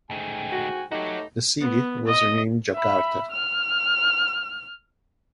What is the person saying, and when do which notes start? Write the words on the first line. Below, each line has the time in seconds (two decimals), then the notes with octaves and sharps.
The city was renamed Jakarta.
0.11 G#2 D#3 A3 G5 G#5
0.52 F#4
0.92 A3 B3 D#4 F#4 G4 C#5
1.61 B3
2.07 D#5
2.75 E5 B5
3.31 F6